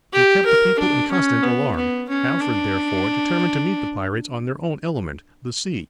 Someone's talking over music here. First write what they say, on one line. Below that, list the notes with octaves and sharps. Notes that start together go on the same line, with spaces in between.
They kept the people in constant alarm. Alfred therefore determined to meet the pirates on their own element, the sea.
G4
A#4
D4
C#4
B3
B3
C#4
D4